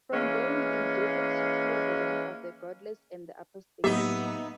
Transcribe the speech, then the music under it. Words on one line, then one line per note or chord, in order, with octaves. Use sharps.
From there he endeavored to clear the land of "the godless and the apostate".
E3 G#3 A#3 C#4
A2 F#3 A#3 B3 D#4 G4 E5